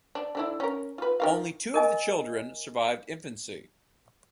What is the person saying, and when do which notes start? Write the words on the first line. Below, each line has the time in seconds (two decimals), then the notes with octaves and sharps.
Only two of the children survived infancy.
0.15 D4
0.35 D3 D4 E4
0.60 C#4 A#4
0.98 F4 B4
1.20 D#3 A#4 F5
1.74 A#4 D#5 G#5